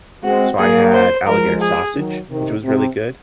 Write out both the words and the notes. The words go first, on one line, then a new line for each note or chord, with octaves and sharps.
So, I had alligator sausage, which was really good.
G#3 C4 F#4
F#3 A#3 G#4
C5
F3 G#3 A#4
G#4
D#3 F#3
C3 D#3
C3